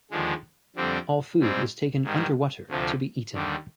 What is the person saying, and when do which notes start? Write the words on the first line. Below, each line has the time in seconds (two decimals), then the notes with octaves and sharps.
All food is taken underwater to be eaten.
0.11 D#2 D3 F3 G#3
0.76 F2 D3 G3 C4
1.40 G#2 G3 C4
2.04 G#2 D#3 G3
2.69 D2 C3 F3
3.33 D#2 D3 G3